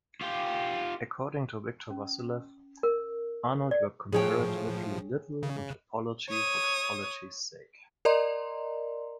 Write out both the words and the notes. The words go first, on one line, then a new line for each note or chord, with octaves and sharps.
According to Victor Vassiliev, Arnold worked comparatively little on topology for topology's sake.
F4 G4
C#4
A#4
D5
A2 F3 G#4 C#5 G5
C#3
C#5 D#6
A#4 D5 D#5 A#5 C6